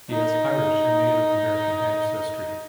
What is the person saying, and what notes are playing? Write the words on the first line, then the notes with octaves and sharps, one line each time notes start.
He has Irish and Native American ancestry.
D#4